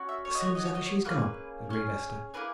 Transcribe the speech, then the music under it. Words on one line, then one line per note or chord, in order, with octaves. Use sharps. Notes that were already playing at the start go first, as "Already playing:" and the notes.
"As soon as ever she's gone," agreed Esther.
Already playing: C#4 F#4
E5
C#5
D#5
B3 F#4 C#5
D#5
C#5
D#5
C#5
A#3 C#4 G#4 B4
C#4 G#4
A#3 E4 G#4 B4